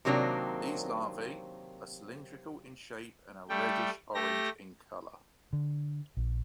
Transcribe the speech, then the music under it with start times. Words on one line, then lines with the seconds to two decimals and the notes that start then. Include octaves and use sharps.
These larvae are cylindrical in shape and are reddish orange in color.
0.05 C3 D#3 F#3 A#3 C4 D4
3.49 G3 A3 G5
4.14 A3 G4 A#6
5.53 D3
6.17 A#1